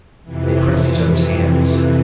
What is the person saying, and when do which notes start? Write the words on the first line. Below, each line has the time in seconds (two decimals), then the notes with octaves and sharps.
They pressed each other's hands.
0.23 F2 C3 E3